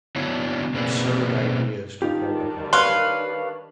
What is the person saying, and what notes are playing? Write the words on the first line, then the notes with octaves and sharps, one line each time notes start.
Absurd ideas took hold upon him.
F#3 B3 D4 E4 C#5
B2 A#3 C4 G#4 B4 D5
D#3 G3 D4 D#4 F4 G4
B4 C#5 D5 F5 C6